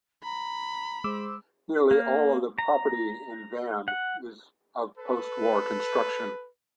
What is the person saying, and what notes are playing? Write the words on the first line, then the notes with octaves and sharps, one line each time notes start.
Nearly all of the property in Van is of post war construction.
A#5 B5
G#3 C5 D6 E6
A#3
A#5
F#5
A4 B4